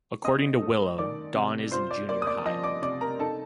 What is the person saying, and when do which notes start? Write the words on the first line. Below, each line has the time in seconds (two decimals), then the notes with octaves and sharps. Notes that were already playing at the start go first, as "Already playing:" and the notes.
According to Willow, Dawn is in junior high.
0.24 C4 D#5 D#6
0.61 A3
0.98 D#3 D5 D6
1.35 C3
1.71 F4 C5 C6
1.91 D5 D6
2.09 A#3 D5 D6
2.22 D#6
2.27 D5 D6
2.45 F3 D#5 D#6
2.63 D5 D6
2.82 C3 D5 D6
3.01 A#4 A#5
3.19 D#4 A4 A5